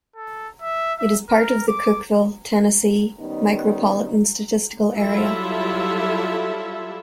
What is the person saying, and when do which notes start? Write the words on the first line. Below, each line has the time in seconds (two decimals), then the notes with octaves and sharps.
It is part of the Cookeville, Tennessee Micropolitan Statistical Area.
0.16 A4
0.62 E5
0.99 E5
1.29 A#4
1.68 D6
3.20 D#3 G3 B3 C#4 D#4
4.97 F#3 G3 E4 F4 A4 E5